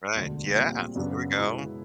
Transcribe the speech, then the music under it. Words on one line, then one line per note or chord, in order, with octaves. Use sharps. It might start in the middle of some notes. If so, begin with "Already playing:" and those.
Right. Yeah. There we go.
E1 D2 D3
A#2 G3 C4
F#2 C#3 F#3 B3 D4
B2 G#3 B3 E4